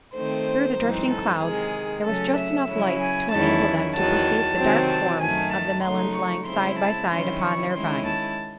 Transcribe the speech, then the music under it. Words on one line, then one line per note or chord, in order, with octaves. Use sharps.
Through the drifting clouds there was just enough light to enable them to perceive the dark forms of the melons lying side by side upon their vines.
D#3 A3 C4 C5
F#2 E3 G#3 C4 D#4
A4
C3 D#3 G#3 G#4
C#3 F#3 A3 C#4 A4
E5
C#3 F#3 C#4 E4
G#5
E2 D#3 F#3 C#4 E4 A5
E2 D#3 F#3 A5
C3 D#3 F#3 C4
A5
F#2 D#3 A3 G#5
A5
C#3 F#3 A3 D#4 C6
C#6
C#3 G#3 C4 E4 C6
A5
C3 D#3 F#3 C#4 E4 C6
C#6
D#3 G#3 C#4 E4 C6
A5